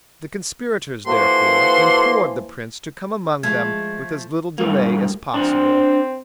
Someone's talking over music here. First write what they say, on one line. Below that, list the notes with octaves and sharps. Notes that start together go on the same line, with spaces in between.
The conspirators, therefore, implored the Prince to come among them with as little delay as possible.
E3 F3 A#3 F#4 G4 A4 C6
F3 G#3 A3 G#6
G2 A3 A#3
C4 D4 C5